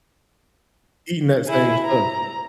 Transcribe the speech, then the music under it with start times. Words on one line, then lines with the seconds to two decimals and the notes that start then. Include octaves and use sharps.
eating that same stuff.
1.46 E4 G#4
1.85 A#5